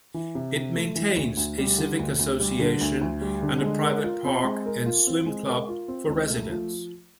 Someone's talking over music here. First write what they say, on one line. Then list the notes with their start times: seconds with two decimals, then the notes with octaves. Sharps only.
It maintains a Civic Association and a private park and swim club for residents.
0.14 E3
0.35 C3
0.56 C3
0.76 A3
0.96 E3
1.16 D2
1.37 D2
1.58 G3
1.78 D3
1.99 D2
2.19 D2
2.40 G3
2.60 D3
2.81 D2
3.01 D2
3.21 G3
3.42 D3
3.62 G#3
3.83 A#4
4.04 F4
4.25 C4
4.44 G#3
4.66 A#4
4.86 F4
5.07 C4
5.26 G#3
5.47 A#4
5.68 F4
5.88 C4
6.08 C#2
6.30 A3
6.50 F3